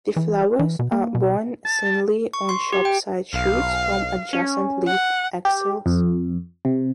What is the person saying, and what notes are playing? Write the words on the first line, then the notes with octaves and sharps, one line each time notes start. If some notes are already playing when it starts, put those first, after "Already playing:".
The flowers are borne singly on short side shoots from adjacent leaf axils.
E3
E3
B2
A#3
B2
A5
C#6
C6
G4
G5
B1 F5
C#4
F#5
G4
F2
C3